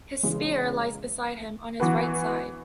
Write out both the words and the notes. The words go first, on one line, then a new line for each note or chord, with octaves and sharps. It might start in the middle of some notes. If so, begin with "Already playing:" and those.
His spear lies beside him on his right side.
C#3 E3 G#3
E3 B3 F#4 B4